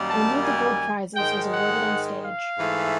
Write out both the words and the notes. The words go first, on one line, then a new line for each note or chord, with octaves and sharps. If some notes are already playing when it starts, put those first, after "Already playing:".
Only the Gold Prizes was awarded on stage.
Already playing: F#2 D#3 G3 A#3
A5
G#5
G#2 D#3 G#3 G5
F#5
F5
G#2 E3 A3